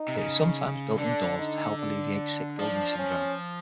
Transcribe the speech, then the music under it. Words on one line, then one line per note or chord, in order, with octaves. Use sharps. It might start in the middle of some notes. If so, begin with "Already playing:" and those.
It is sometimes built indoors to help alleviate sick building syndrome.
Already playing: D#4
C3
C#3
D3 D4
D#4
D4
F3 D4
C#4